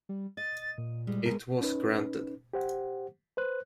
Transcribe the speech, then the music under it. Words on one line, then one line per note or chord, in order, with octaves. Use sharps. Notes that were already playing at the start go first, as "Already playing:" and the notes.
It was granted.
G3
D#5 A6
A#2
G3 G#3
B2 G#3 A#4
C#4 D#4 B4
G4 C5 F#5
B4 C5 F#6